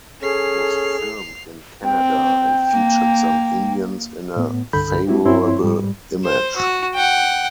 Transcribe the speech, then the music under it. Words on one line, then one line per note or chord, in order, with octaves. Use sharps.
It was filmed in Canada and featured some Indians in a favorable image.
C#4 G#4 A4 C7 F7
C4 G5
A#3
A2 B3
C2 G2 D3 A4 B5 G6
G#3 C4 E4 F#4 G4
G2 C4 E4 C#5 C6
G#2 G3
C5
F#4
F#5 G5